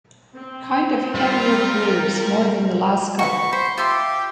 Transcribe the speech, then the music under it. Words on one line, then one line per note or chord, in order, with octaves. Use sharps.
Kind of heavier grooves, more than the last couple.
C4
G3 F4 A#4
F#4 B4 C#6
C5 B5
F4 G4 E5 C6